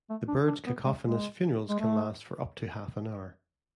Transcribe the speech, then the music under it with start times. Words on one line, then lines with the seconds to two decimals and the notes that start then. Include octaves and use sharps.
The birds' cacophonous "funerals" can last for up to half an hour.
0.10 A3
0.28 D4
0.47 D4
0.67 B3
0.85 G#3
1.04 G#3
1.68 G#3
1.80 A3